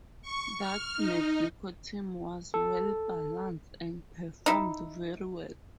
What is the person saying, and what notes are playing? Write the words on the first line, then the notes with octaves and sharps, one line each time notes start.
That Mexico team was well balanced, and performed very well.
C#6
F6
D#4
A4
D#4 E4